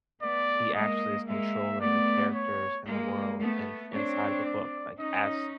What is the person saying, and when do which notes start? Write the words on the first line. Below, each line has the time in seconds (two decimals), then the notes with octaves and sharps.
he actually is controlling the characters and the world in inside of the book, like, as
0.22 A3 B3 D5
0.75 G#3 A#3 D#5
1.28 G#3 A#3 E5
1.81 A3 B3 D5
2.34 C#5
2.87 G#3 A#3
3.40 A3 B3
3.93 C4 D4 C#5
4.46 D5
5.00 C#4 D#4 D#5